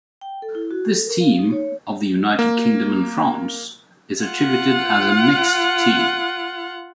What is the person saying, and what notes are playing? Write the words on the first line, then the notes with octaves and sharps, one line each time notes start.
This team, of the United Kingdom and France, is attributed as a mixed team.
G5
A4
E4
F#4
A4
A#4
F5
D#4
C#5
A#3
F4 F#5